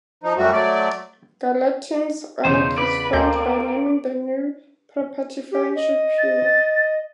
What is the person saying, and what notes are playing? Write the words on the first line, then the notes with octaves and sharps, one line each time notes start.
Gallatin honored his friends by naming the new property Friendship Hill.
F3 D#4
F#2 G3 A3 F#4
F#3 A3 D5
E2 C#3 D#4 C5
B4 D5 B5
D2 A#3 C4 A4 D#5 C6 G6
G4
D#5
A6